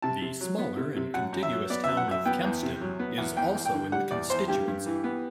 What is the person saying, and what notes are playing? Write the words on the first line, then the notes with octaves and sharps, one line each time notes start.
The smaller and contiguous town of Kempston is also in the constituency.
C3 A5
C3
F#3
B3
C3
C3
F#2 F#5
F#2
E5
F#3
B3 D5
F#2 E5
F#5
F#2 E5
B3 G5
E2
C3
F#3
B3
E2
E2 G5
E2
G5
D3
G3 F#5
E2 D5
E2 C5
G2 G4
G2
E3
B3